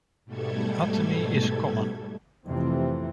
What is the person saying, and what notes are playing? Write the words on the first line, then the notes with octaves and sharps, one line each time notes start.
Atemi is common.
G#2 B2 G3 A3 A4 G#6
F2 C3 E3 A3 C4